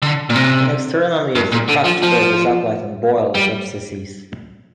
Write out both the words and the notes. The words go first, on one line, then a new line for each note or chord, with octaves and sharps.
In external use, the crushed fruit is applied on boils, abscesses.
D3
A#2
C3
G2
A#2
D3
F3
F3
G3